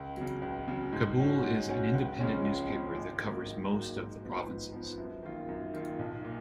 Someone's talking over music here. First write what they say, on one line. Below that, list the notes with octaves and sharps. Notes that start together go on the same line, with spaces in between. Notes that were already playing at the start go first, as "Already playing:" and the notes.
Kabul is an independent newspaper that covers most of the provinces.
Already playing: C#2
C#3 F#3
C#2
C#3 F#3
G#2
F#3 C#4 F#4
G#2
F#3 C#4 F#4
C#2
C#3 F3 G#3 C#4
C#2
C#3 F3 G#3 C#4
G#1
G#2 F#3 A#3
G#1
G#2 F#3 A#3
G#2
F3 B3
G#2
F3 B3
F#2
D#3 A#3 F4
F#2
D#3 A#3 F4
B1
A#2